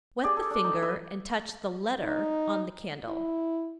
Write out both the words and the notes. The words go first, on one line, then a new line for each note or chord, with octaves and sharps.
Wet the finger and touch the "letter" on the candle.
G4 G#4 D5
A4
D4
D#4
B4 D#5 E5
D#4
E4